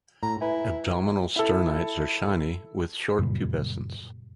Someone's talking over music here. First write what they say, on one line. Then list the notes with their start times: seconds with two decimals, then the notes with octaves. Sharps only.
Abdominal sternites are shiny with short pubescence.
0.23 A2 A#5
0.41 E4 B4 G#5
1.36 E4 A4
3.19 F#2 A#2 C#3 G3